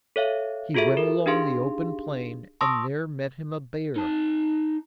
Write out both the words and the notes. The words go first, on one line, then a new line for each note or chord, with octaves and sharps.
He went along the open plain, and there met him a bear.
A4 C#5 E5 F5
F4 F#4 G#4 A4 E5
A#4
D4 D#4 G4 G#4 F5 C6
A5 C6 C#6 D#6 E6 A#6
D#4 A5